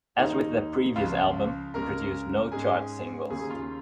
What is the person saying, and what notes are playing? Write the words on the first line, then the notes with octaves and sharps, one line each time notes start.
As with their previous album, it produced no chart singles.
D#2 D#3 A#3 D#4 D#5
C#2 C#3 F3 F4 F5
C#2 C#3 G#3 A#4 A#5
G#2 G#3 C#4 G#4 G#5
D#2 C#3 A#3 C#4 G#4 G#5
F4 F5